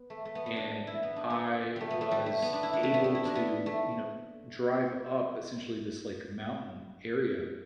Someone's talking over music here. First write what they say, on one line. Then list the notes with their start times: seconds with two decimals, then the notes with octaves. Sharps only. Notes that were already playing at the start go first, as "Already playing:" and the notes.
and I was able to, you know, drive up essentially this, like, mountain area,
Already playing: B3
0.10 A3
0.25 A3
0.35 B3
0.46 B3
0.56 D4
0.87 E4
1.03 B3
1.16 D4
1.30 B3
1.76 G3 A3
1.91 B3
2.01 A3
2.11 G3
2.26 A3
2.42 B3
2.53 D4
2.63 E4
2.73 D4
2.83 A3
2.94 B3
3.04 A3
3.15 E4
3.25 D4
3.35 B3
3.66 A3